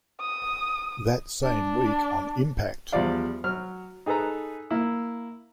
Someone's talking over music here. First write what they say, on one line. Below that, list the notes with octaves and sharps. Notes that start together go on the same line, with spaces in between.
That same week on Impact!
D#6
D4
E2 F3 G3 D5 F5
F#3 F6
D#4 G#4 A4 B4 A#5
A#3 E4